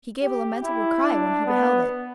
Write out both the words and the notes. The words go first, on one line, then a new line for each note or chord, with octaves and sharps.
He gave a lamentable cry when he beheld it.
G4
E4
D4
B3